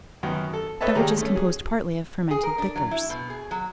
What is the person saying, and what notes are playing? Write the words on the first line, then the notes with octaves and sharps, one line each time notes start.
Beverages composed partly of fermented liquors.
F#2 D#3 B3
A4
A4 B4 C#5 D#5 E5 A5
D#2 D#3 G3 G4 G#4 A#5
A3 C#4
F#3 G#4
G#4
A#4
D4
F#3
E4
B2
G#4
F#3